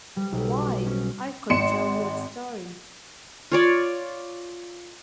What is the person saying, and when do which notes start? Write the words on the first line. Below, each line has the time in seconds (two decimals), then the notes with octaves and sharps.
Why, I could tell you a story.
0.16 G3
0.32 B1
0.86 C#4
1.50 G#1 C6 C#7 E7
3.52 F4 C#5 D5